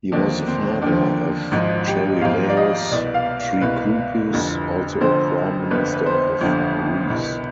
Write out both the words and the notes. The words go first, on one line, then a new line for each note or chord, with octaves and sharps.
He was the father of Charilaos Trikoupis, also a Prime Minister of Greece.
D#2 D3 F3 D4
C4
D#2 D3 F3 D4
G#1 G#2 F3 D#4
G4
G#1 G#2 F3 F5
D5
D#5
C2 B2 D5
F5
C2 B2 B4
F1 F2 D3
F1 F2 D3 C5
G1 F2 D3 F3 B4
B4
C5
G1 F2 D3 F3
C2 B2